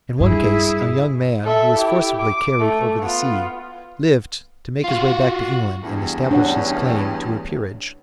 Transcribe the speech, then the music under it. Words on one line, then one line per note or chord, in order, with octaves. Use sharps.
In one case a young man who was forcibly carried over the sea lived to make his way back to England and establish his claim to a peerage.
G2 E4 G#4
A4 E5
E4 G4
D6
A3
B3 F4
F4 F#4
E2 G2 A3
D4 C#5 F#5